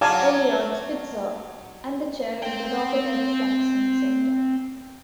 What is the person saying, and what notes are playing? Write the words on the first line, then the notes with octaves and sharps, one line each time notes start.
Eliot Spitzer, and chair of the Robert H. Jackson Center.
F#3 F5 G#5 A5 D6 F6
C4 G5